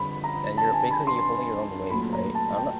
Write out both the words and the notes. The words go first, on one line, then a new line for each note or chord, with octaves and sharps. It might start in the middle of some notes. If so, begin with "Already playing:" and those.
and you're basically holding your own weight, right? I'm not
Already playing: F2 D3 G3 B5
A#5
A5
G#5
B5
C6
A#2 F#3 A3 B5
A#5
A5
G5